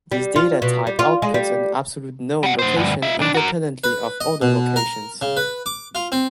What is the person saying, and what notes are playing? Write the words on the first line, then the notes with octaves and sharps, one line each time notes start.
This data type outputs an absolute known location independently of other locations.
G3
F4
B2
G3
F4
G#3
G3
G3 F#5
F#2 C5
D2 G2
F4 E5
B1 D4
F#4 A#4
B4
D#5
B2
A#4
C#3
B4
D6
F4
C4